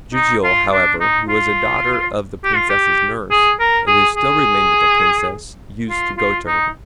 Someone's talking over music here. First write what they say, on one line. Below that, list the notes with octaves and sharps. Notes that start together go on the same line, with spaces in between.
Jijiu, however, who was a daughter of the Princess's nurse, and who still remained with the Princess, used to go to her.
D#4
F4
D4
D#4
F4
G4
F4
G4
G#4
A#4
G#4
G#4
F4
F4
D#4